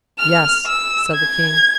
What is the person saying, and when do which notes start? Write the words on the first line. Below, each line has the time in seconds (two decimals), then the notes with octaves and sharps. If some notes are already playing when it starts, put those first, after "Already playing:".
"Yes," said the King.
0.19 F6
0.66 E6
1.15 G#6